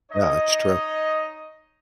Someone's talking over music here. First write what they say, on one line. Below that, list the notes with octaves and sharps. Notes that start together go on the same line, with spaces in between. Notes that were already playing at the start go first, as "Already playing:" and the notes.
Yeah, it's true.
D#4 C#5 D#5